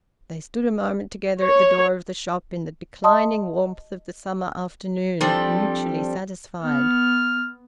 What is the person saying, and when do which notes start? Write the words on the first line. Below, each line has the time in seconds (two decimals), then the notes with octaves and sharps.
They stood a moment together at the door of the shop, in the declining warmth of the summer afternoon, mutually satisfied.
1.43 C#5
3.04 D#5 A5 C6 D#6
5.20 F3 G3 C4 D4 A4
6.61 B3 F6